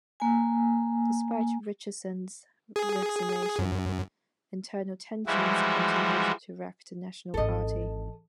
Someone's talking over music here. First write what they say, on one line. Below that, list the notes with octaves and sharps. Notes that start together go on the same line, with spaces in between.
Despite Richardson's resignation, internal tensions continued to wrack the National Party.
A#3 G#5
G#4
F#2
E3 F3 G3 G#3 E4 F#4
G#1 E3 A4 D#5